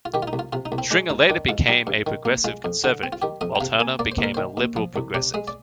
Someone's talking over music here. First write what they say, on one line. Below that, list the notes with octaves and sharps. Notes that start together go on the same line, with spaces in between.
Stringer later became a Progressive Conservative, while Turner became a Liberal-Progressive.
F4
D#3 G4
F4
D#4
C2
F4
C3 F4
D#4
C2
C4
G#3 D4
G#2 D#4
D#3 D4
G#2 F4
G3 D#4
G2
D#3
A#3
G#3 F4
F2
D3
C4
F4
D#3 G4
F2 D#5
G5
C3 F5
A#3 G#5
A#3 D5
C5
D#2
A#4
D#3 C5
D#2
F3
C2
C3 D5
G#3 D#5
D5